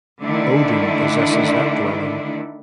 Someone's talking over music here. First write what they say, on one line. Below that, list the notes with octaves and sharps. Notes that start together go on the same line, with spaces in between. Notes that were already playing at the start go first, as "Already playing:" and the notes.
Odin possesses that dwelling.
D3 D#3 A3 D4 E4